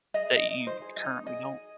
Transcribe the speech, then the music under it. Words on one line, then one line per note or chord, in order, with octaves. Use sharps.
that you currently don't.
G#4 D#5
D#4 D#5
D#4
C5
G#4
D#5
D#4
G#4 D#5
G#4